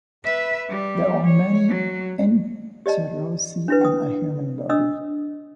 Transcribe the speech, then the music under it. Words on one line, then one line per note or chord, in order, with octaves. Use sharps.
There are many interossei in a human body.
B4 E5
G3
C#5
F#3
G4 D5 D#5 A5
D4 E4 B4
G5 D#6
D4 D#5 D#6 E6